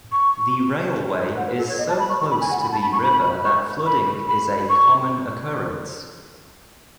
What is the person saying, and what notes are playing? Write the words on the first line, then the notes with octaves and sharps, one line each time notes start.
The railway is so close to the river that flooding is a common occurrence.
C#6
F#5
B4
A4
C#5
D#5
A5
B5
C#6
C#6
B5
G#5
F#5
B5
A5
B5
C#6
B5
C#6
B5
B5
C#6